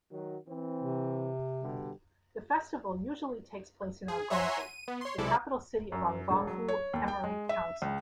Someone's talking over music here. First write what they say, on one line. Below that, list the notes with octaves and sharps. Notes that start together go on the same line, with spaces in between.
The festival usually takes place in Argungu, the capital city of Argungu Emirate Council.
D#3 F#3
E3 C4
C3
B2 D3 G3
G#4
C#5 E5 F#5 G#5 A#5 C6
D#7
B3
C#5 C6
B1 C3 G#3 E4 A4 D5
F#2
E1
F#3
C#5
D#2
G5
G#3
E5
C#2